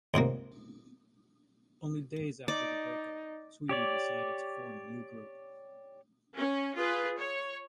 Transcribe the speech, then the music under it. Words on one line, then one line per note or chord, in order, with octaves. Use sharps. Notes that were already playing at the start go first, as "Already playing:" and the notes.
Only days after the breakup, Tweedy decided to form a new group.
C#2 G#2 C3 A#3
D#4 D5
G4 C#5 D5
C#4
F4 G#4 B4
C#5